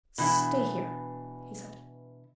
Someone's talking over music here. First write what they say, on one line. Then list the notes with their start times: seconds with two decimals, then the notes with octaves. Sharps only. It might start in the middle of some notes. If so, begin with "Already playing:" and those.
"Stay here," he said.
0.18 B2 E3 D4 E4